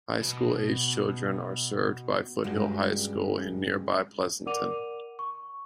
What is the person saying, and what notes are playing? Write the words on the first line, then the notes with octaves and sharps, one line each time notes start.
High school age children are served by Foothill High School in nearby Pleasanton.
B2 B3
G2 C#3 G3 G#3 F#4
A#4 D5 F#5 D6 D#7 F7
C#6